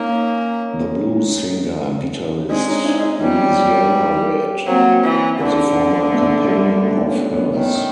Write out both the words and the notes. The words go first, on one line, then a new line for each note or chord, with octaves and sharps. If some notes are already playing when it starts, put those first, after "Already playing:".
The blues singer-guitarist Louisiana Red was a former companion of hers.
Already playing: A#3 C#4 D#4
G#3 C4 D4
C#4 D#4
D4 E4
C#4 D#4
G3 B3 C#4
F#3 A#3 C4
E3
D3
A3 B3
G3 A3
A3 B3
D4
B3 C#4
B3 C#4
D#3 B3 C#4